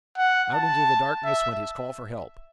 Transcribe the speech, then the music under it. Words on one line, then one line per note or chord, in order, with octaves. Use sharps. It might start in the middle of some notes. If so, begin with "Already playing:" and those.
Out into the darkness went his call for help.
F#5
A5
E5